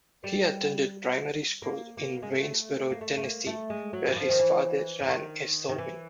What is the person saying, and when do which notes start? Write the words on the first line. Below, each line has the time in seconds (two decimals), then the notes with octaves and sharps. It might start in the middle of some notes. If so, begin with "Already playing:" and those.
He attended primary school in Waynesboro, Tennessee where his father ran a sawmill.
0.24 G3
1.62 A#3
1.97 A#3
2.22 G#3
2.31 A3
2.91 A#3
3.01 A3
3.17 A3
3.23 A#3
3.47 A3
3.70 G#3
3.93 F#3
4.09 E3
4.16 F3
4.29 D#3
4.40 E3
5.01 E3
5.08 D#3
5.69 D#3
5.78 E3